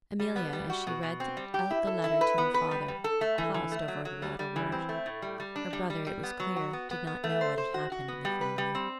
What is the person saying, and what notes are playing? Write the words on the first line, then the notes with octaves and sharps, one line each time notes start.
Amelia, as she read out the letter to her father, paused over the latter word; her brother, it was clear, did not know what had happened in the family.
G3
B3
G3
F#4
B2
B2
C4
G3
G4
E4
A4
E4
B4
B3
B4
G3
G3
A4
A3
E3
E3
A3
F#3
F#3
G3
G3
E3
C4
A3
A2
G3
G3
D4
G3
G3
G3
B3
F#3
F#4
B3
B3
B3
A3
C5
C5
F#4
F#4
B3
G3
B4
G3
C4